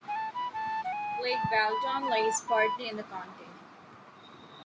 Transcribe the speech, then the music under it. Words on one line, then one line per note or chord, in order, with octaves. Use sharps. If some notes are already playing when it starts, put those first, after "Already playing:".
Lake Balaton lies partly in the county.
G#5
A5
B5
A5
F#5
G#5
A5
B5
B5
A5
B5